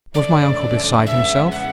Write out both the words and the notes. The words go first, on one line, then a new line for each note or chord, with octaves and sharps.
Was my uncle beside himself?
F#2 C#3 E3 A3 D4 D5
E2 C#3 G#3 B3 E5
F#5